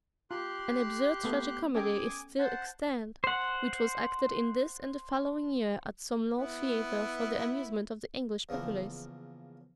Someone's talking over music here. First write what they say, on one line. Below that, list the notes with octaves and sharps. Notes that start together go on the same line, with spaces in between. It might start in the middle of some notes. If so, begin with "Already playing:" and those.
An absurd tragicomedy is still extant, which was acted in this and the following year at some low theatre for the amusement of the English populace.
F4 G4 C6 F#6
A3 B3 A4
C#4 A4 G5 G#5 D6 D#6
C5 F#5 A5
C5 F#5
B3 E4
E2 C#3 E3 F3 A#3